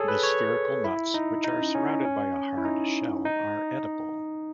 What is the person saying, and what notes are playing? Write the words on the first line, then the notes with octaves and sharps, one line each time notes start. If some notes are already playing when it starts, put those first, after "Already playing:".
The spherical nuts, which are surrounded by a hard shell, are edible.
Already playing: G#4 A4 C#5
B4
C#5
E4
D#4
D#4
C#4
C#4
D#4
C#4
E4
D#4
D#4